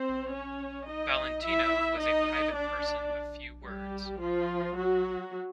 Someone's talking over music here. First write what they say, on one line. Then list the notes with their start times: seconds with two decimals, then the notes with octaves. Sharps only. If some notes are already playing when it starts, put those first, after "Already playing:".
Valentino was a private person of few words.
Already playing: C4 C5
0.32 C#4 C#5
0.88 D#4 D#5
1.43 E4 E5
1.98 D#4 D#5
2.54 D4 D5
3.64 G3 G4
4.20 F3 F4
4.75 F#3 F#4